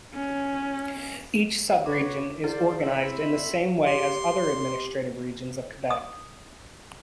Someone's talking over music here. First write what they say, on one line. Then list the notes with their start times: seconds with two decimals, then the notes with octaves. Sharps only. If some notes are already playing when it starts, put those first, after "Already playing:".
Each sub-region is organized in the same way as other administrative regions of Quebec.
0.14 C#4
1.86 F#4 B4 C#5 D6
2.44 E4 G#4 C5 D5
2.79 C4 E5 B5
3.87 G4 C6
5.90 D#6